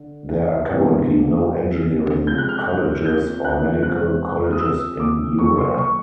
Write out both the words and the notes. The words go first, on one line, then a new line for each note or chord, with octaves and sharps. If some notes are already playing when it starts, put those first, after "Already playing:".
There are currently no engineering colleges or medical colleges in Uran.
Already playing: D3
C3 E3 G#3 B3
C3 F3 G#3 G6
F#6
F6
F#6
G6
F#6
C3 F3 G#3 C4 F#6
D#6
E6
D6
D#3 F#3 A#3 C#6
C6
C#6